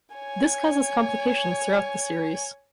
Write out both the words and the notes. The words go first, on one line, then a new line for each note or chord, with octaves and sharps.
This causes complications throughout the series.
C#5 G#5